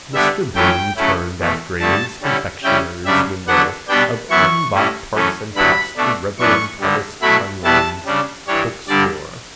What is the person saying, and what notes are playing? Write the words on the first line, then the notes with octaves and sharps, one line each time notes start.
Mr Bloom turned at Gray's confectioner's window of unbought tarts and passed the reverend Thomas Connellan's bookstore.
D3 G3 B3 D4 E5
F#2 E3 A3 C#4 E4 G5
C#3 F#3 A3 C#4 E4
E2 B2 A3
G2 D3 A3 A5
D3 G3 C#4 E4
C#3 G3 C#4 E4 G5
F#2 C#3 G3 D4 E5
D3 F#3 B3 D4 F#5
B2 G3 B3 D4 G5
F#2 E3 B3 E4 C#6
A2 G3 C#4 E4
F#2 E3 A3 C#4
G2 D3 F#3 B3 E4 B5
B2 A3 D4
F#2 E3 B3 D4 C#6
G2 D3 G3
B2 F#3 A3 E4 B5
B2 G3 B3 E4 A5
C#3 G3 D4
G2 E3 G3 D4 C#5
G2 D3 G3 D4 D5